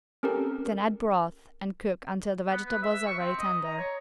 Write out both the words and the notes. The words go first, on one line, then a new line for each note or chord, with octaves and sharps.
Then add broth and cook until the vegetables are very tender.
C4 C#4 G4 A4 A#4
B3
B4
E5
C#6
C4
D#5
A#5
C#5